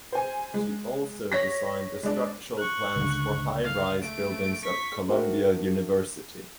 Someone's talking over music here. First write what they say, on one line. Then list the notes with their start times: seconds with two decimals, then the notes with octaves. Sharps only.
She also designed the structural plans for high rise buildings at Columbia University.
0.12 C5 G#5
0.54 G#3
1.32 C#5 A#6 B6
2.03 G#3 D4
2.58 C#6 F#6
2.96 C#2 D3
3.64 F5
4.01 A3 D7
4.65 C#6 B6
5.08 D4 F#4 A#4 E5 G5